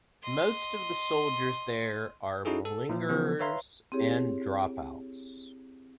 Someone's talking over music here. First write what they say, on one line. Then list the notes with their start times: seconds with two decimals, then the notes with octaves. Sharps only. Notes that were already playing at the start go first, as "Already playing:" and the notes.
Most of the soldiers there are malingerers and drop-outs.
0.22 D#5 C6
2.45 C#4 D#4 E4 F#4 G#4 A4
2.65 A4
2.89 A#2 F3
3.09 C#3 E3 F3 B3
3.39 B4 C#5 E5 F5 A#5 C6
3.92 C4 E4 G4 G#4 C#5